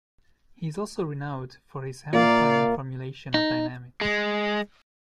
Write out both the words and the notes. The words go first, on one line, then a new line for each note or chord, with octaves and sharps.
He is also renowned for his Hamiltonian formulation of dynamics.
A#2 A#3 D5 E5 F5
D#4
G#3